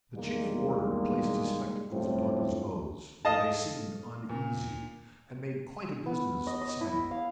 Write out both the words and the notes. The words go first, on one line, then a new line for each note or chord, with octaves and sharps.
The chief warder placed his spectacles upon his nose, where they seemed uneasy, and made quite a business of signing.
E2 D#3 G3 G#3 A#3
F#2 A2 D3 G3 C4 F4
A4 D#5 F5 A5 D#6
A#2
B3
D#5
D#5
E4
F5